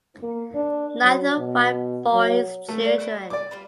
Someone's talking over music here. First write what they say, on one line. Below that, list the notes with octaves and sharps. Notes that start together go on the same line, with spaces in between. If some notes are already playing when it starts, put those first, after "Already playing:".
Neither wife bore his children.
A#3
D4
F#3
B2
F#3
A3 C#4
G3 D5 E5
E4 F#4 F#5
D5 G#5 D6
G3 F4 B4